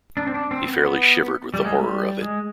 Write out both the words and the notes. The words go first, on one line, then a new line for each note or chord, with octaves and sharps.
He fairly shivered with the horror of it.
D4
C4
D4
C4
C4
B3
G3
G#3
G3
G#3